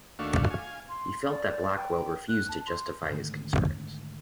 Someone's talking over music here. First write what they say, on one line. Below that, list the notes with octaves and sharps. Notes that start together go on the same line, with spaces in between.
He felt that Blackwell refused to justify his concerns.
D#2 A3 D4 F#4 F5 C#6
F5 G#5
C6
D5
G5
F#6
A5
C6
G#2 D3 D#3 A3